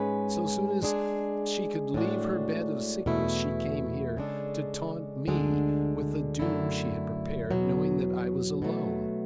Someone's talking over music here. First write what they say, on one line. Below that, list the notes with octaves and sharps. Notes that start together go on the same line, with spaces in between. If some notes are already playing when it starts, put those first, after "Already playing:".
So soon as she could leave her bed of sickness she came here to taunt me with the doom she had prepared, knowing that I was alone.
Already playing: G#2 G#3 C#4 G#4 B4
G#3 D4 G#4
A2 G#3 D4 F#4
E2 B2 A3 E4
C#3 G#3 D4 A4
D2 D3 G#3 D4
F#2 D3 A3 E4
E2 B2 F#3
B2 F#3 A3